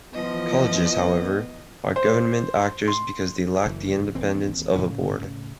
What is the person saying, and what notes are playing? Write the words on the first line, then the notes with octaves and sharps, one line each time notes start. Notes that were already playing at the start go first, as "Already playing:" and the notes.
Colleges, however, are government actors because they lack the independence of a Board.
E3 F3 B3 D#5
C5
C6
F#1 F#2 E3
D#1 E3 C4
A2 C#3 C#4